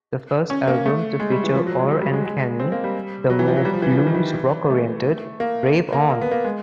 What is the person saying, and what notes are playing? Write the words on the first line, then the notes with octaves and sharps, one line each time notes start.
The first album to feature Orr and Kenney, the more blues rock-oriented Rave On!!
C#4
A#3
A3
G#3
G3
E3
F3
F#3
G#3
F#3
G3
G#3
G#3
C4
A#3
G3
F#3
E3
F3
F#3
G3
F3
E3
F3
E3
D#3
E3
A3
A#3
A#3
A#3
B3
A#3
G#3